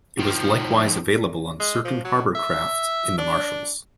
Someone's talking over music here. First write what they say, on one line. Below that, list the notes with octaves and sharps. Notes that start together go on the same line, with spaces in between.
It was likewise available on certain harbor craft in the Marshalls.
D#3 F3
G#3
F3
F#3
E5
D4